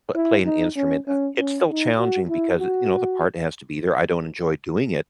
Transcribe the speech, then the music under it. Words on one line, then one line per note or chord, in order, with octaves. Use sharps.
p play an instrument, uh, it's still challenging because, you know, the part has to be there. I don't enjoy doing it.
E4
D#4
C#4
C#4
C#4
D#4
F#4
E4
F#4